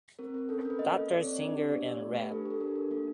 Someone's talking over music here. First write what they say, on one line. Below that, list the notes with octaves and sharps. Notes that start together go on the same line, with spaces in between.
Dr Singer and Rev.
C4 A#4
C4
C#4 A4
A#4
C#4
B4
A#3 D#5
A4
C4 D5
C4 C#5
D4 D5
G4
B3 D5
B3 C#5
A3
G4 B4
D4 A4
G4 A4
D4 A#4
D4
A#3 A4